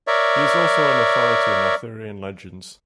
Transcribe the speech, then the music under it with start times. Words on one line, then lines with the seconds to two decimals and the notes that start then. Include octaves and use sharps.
He is also an authority on Arthurian legends.
0.07 A#4 C#5 D5 E5